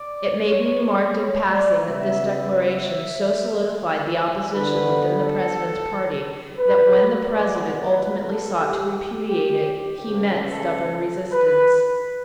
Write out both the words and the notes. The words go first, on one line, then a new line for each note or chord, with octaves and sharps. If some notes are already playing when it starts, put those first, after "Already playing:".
It may be remarked in passing that this declaration so solidified the opposition within the President's party that when the President ultimately sought to repudiate it, he met stubborn resistance.
Already playing: D5
C#5
C#5
D5
C#3 G3 B3 E5
E5
D3 G3 B3 B4
A4
B4
A2 G3 B3 D5
B4
A4
G4
G4
C#3 E3 A3 G4
A4
B4